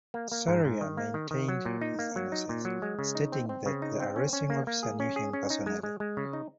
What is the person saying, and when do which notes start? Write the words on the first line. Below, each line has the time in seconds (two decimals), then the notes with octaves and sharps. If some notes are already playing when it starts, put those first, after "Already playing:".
Sarria maintained his innocence, stating that the arresting officer knew him personally.
0.14 A#3
0.32 A#3
0.48 G#2
0.65 G#2
0.81 D#3
0.97 A#3
1.14 D#3
1.31 D#3
1.48 F#3
1.65 A#2
1.81 D#4
1.99 A#3
2.16 F#3
2.32 D#4
2.49 A#2
2.65 F#3
2.82 G#3
2.99 C#3
3.15 D#4
3.32 C4
3.49 C4
3.66 C#3
3.82 D#4
4.00 C4
4.16 C#4
4.33 C#4
4.50 A#3
4.67 A#3
4.83 G#4
5.00 C#4
5.16 G#4
5.33 C#4
5.50 D#4
5.66 G#3
5.83 G#3
6.00 G#3
6.17 C#3
6.33 D#4